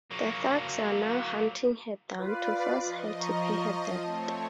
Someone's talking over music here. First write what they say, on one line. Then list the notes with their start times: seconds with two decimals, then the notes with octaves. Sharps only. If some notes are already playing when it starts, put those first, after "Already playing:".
The thugs are now hunting her down to force her to pay her debt.
0.11 F#3 A#3
2.18 F4 B4 D5
2.78 F3 D#5
3.20 A#5 C#6
4.03 A3 C4 C#5 A5